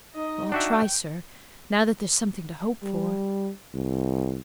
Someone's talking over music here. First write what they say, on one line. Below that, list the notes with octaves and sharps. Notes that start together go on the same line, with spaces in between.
"I'll try, sir, now that there's something to hope for."
D#4 D#5
D4 F#4 E5 G5
G3
C2